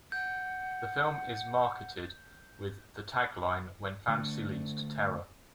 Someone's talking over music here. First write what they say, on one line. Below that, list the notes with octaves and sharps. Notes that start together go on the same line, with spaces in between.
The film is marketed with the tagline When fantasy leads to terror.
F#5 G6
D3 A3